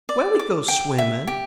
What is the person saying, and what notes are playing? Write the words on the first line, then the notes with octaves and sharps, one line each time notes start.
"Where we go swimmin'?"
D5
D6
G5
E5
G4